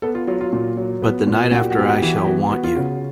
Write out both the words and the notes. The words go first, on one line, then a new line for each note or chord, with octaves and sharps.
But the night after I shall want you.
B3 A4
F4
F#3 F4
F4
A#2 F4
F#3
B3
A#2
A#2 F#4
G4
F#4
B3 G4
F#4
G4
E3 F#4
G4
B3 F#4
B3 F#4
F4
C#3 F#4